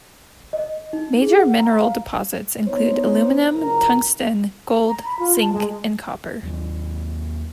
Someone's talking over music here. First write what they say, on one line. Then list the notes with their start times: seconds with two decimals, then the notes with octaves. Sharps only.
Major mineral deposits include aluminum, tungsten, gold, zinc, and copper.
0.53 D#5
0.93 D#4
1.22 G#4
1.39 F#5
1.60 A#5
1.81 F5
2.65 B3 D4 D#4 C5 C#5
3.52 F#1 C#2 A#4 A#5
4.87 A#5
5.05 B5
5.19 F4
5.41 A5
5.52 G#3
6.43 D#2 F#3